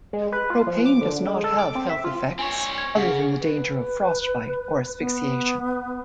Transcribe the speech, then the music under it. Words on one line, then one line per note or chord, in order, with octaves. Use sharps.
Propane does not have health effects other than the danger of frostbite or asphyxiaton.
G#3
B4
F4
F3
D6
D3
G#3
A4
D6
C4
E5
F4
C4 C#5 G#5
G#6
C#3 G#4 F#5
B4
B3